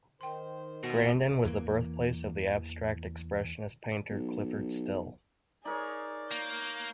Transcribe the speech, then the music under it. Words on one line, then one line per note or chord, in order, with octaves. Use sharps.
Grandin was the birthplace of the abstract expressionist painter Clyfford Still.
D#3 C5 G5 C6
B2 F#4
E2 E3 A#3
B1
D#4 G#4 A#4 C#5 D5
A#3 G6